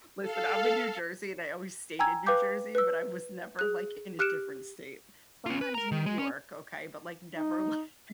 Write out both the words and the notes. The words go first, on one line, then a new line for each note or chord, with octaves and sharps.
Listen, I'm in New Jersey and I always stayed in New Jersey, but I was never like in a different state. Sometimes New York, okay, but, like, never, like
A4 F5
G5 G#5 A#5 E6 G#6
B4 F5 G5 D6 G6
B4 E6
G#4 F#6
G4 F6 F#6 C#7 D7 E7
C#4 F4
B4
A#4 A#5
D#3
G#3
C#4
D#4